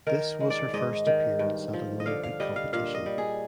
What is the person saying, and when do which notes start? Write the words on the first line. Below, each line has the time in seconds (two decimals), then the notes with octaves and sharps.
This was her first appearance at an Olympic competition.
0.07 D#3 A#4
0.40 G#3
0.50 D5
0.74 G#2 D#5
1.07 D#3
1.39 G2
1.73 F3
2.00 D#5
2.06 D3 F5
2.23 F5
2.40 G3 D#5
2.56 F5
2.73 A#2 F5
2.95 D#5
3.06 G3
3.18 G#4